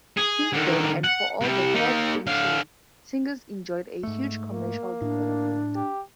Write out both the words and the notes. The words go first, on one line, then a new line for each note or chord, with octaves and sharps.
Since then and for all the fourth century, Tingis enjoyed a huge commercial development.
G#4
D3 D#3
F#5
C3 G3
A#3 D#4
D3 F5
G#2 A3
A#3
A2 D4
G4